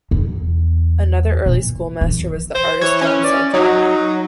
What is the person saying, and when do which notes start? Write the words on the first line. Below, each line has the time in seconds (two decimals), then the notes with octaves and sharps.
Another early schoolmaster was the artist John Sell Cotman.
0.11 E2
1.46 A#2
2.01 E3
2.55 C5
2.81 E3 C#5
3.01 C#4
3.24 D5
3.54 F#3 D#4